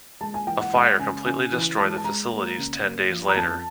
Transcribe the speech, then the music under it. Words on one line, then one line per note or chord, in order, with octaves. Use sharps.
A fire completely destroyed the facilities ten days later.
G#3 A5
G#5
E3 G5
F#5
G#3 F#5
C#3 G#5
C#3 G#5
E3
G#3 A5
A5
G#3 A#5
A#3
C#3
A#3
F3
A#5
F2 A5